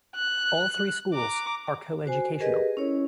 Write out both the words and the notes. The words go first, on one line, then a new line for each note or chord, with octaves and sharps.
All three schools are coeducational.
F#6
A#5 D6
F#4 C5 G#5
G4 G#4 A#4 B4 D#5
C#4 E4 C#5